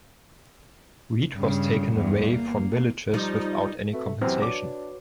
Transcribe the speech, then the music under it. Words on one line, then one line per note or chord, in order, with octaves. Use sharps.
Wheat was taken away from villagers without any compensation.
G2 C#3
E2 G2
A#3
F3 G3 D#4
A3 C4 F#4 B4
C3
F#2 C3 E3 C4 F6
D4 F#4 B4 C#5 D6